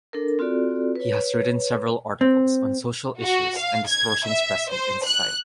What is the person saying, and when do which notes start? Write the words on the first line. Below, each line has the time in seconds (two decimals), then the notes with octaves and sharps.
He has written several articles on social issues and distortions present in society.
0.13 D4 A4 A#4
0.39 C4 F4 F#4 A4 D5
0.95 B4 C#5
2.21 C4
3.23 F#4
3.58 F5
3.88 G#6
4.27 E5
4.71 C5
5.06 F#6